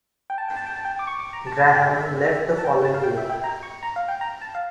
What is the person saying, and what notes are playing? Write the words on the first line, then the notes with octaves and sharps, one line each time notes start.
Graham left the following year.
G5
A5
G5
A5
G5
A5
G5
D6
C#6
D6
A#5
A5
A5
G5
E5
E5
E5
A5
G5
A5
F5
G5
E5
G5
A#5
C#6
A#5
F5
G5
A#5
A5
F5